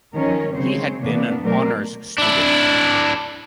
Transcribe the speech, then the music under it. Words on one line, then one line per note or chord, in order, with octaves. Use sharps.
He had been an honors student.
D#3 F3 F#3 C#4 A#4 C#5
C#3 F#3 G#3 C4 C5 C#5
C3 E3 A#3 B3 D4
B2 F#3 A3 A#4 C5 D5
D4 E4